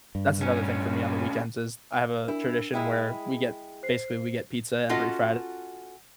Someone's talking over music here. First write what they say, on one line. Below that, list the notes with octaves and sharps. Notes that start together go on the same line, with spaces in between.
That's another thing for me on the weekends is I have a tradition where we get basically we get pizza every Friday,
G2
D2 C#4
D4 E4 A#4
G#3 E4 G#4 G5
C5 C7
C#4 F4 F#4 A4 D#5 F#5